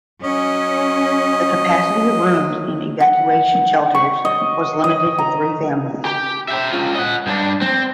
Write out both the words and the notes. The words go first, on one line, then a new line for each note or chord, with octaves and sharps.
The capacity of rooms in evacuation shelters was limited to three families.
F#3 C#4 D#5
F#5
C#6
D#5
D#5
A#5
G4
E5 G5
C#4 F4
D#5 F#5
G2 D4
C4